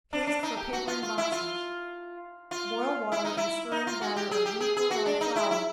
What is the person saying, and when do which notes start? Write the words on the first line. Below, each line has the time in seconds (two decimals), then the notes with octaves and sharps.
Paste for Papering Boxes.--Boil water and stir in batter of wheat or rye flour.
0.13 D4
0.27 D4
0.43 D#4
0.57 G4
0.73 F#4
0.87 F4
1.03 F4
1.18 E4
1.32 F4
2.51 F4
3.12 E4
3.25 D#4
3.37 E4
3.71 D#4
3.87 F4
4.01 F#4
4.16 G4
4.31 G#4
4.46 G4
4.61 G#4
4.77 G#4
4.91 F#4
5.06 D4
5.21 D#4
5.36 E4
5.51 E4